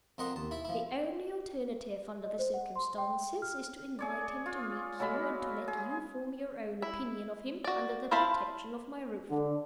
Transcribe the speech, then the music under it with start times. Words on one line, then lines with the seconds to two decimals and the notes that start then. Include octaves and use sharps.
The only alternative under the circumstances is to invite him to meet you, and to let you form your own opinion of him--under the protection of my roof.
0.18 F2 C4 A#4 D#5 F#5 C6
0.36 D#2 A5
0.51 E4 E5
0.65 F3 E4
2.24 D#5
2.39 C5
2.54 F#5
2.76 C6
2.98 G5
3.42 F6
3.99 G#4 C#5 D5
4.46 F4
5.00 F#3 G#3 F5 B5
5.68 G#4
6.82 E4
7.64 F#4 D5
8.11 E4 C5 F5 A5 B5
9.30 D3